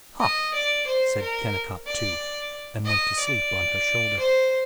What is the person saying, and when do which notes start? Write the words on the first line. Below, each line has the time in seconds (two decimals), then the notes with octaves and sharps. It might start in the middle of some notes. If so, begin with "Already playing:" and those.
"Huh!" said Kennicott II, and went to sleep on her shoulder.
0.20 D#5
0.54 D5
0.87 C5
1.20 A#4
1.86 D5
2.85 D#5
3.19 D5
4.19 C5